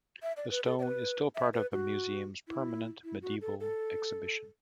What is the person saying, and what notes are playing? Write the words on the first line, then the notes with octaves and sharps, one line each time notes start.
The stone is still part of the museum's permanent medieval exhibition.
E5
D5
B4
A4
D5
B4
E5
B4
F#4
E4
E4
F#4
A4
A4